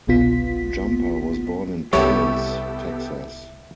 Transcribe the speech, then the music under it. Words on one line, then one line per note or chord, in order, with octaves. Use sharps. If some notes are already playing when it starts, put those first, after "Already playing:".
Jumper was born in Paris, Texas.
G1 C2 B2 B3 F4 B6
C2 G3 B3 E4 G4 A4 C#5